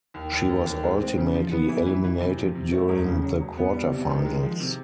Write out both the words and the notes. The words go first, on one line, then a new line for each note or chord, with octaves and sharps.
She was ultimately eliminated during the Quarterfinals.
D#2
D#2
D#2
D#2
G#3
C4
C#3
F3
B3
E3
E3
E3
C3
F3
C3
A3
E1
C#3
F#3
E1
B3
G3
C3
D#3
G#3
F3
C3